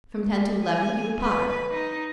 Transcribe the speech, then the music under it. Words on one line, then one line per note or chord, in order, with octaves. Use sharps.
From ten to eleven he would potter.
G#5
B4
D#4